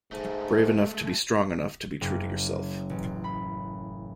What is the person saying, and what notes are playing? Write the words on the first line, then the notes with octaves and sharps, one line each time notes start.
Brave enough to be strong enough to be true to yourself.
G#2 G#3 A3
F#1
A1
B5